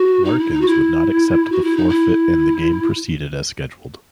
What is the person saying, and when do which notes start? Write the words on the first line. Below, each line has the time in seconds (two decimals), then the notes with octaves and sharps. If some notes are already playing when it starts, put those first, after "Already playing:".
Larkins would not accept the forfeit and the game proceeded as scheduled.
Already playing: F#4
0.25 D#4
0.39 E4
0.53 D#4
0.61 F#4
0.68 E4
1.52 F#4
1.64 E4
1.77 D#4
1.89 E4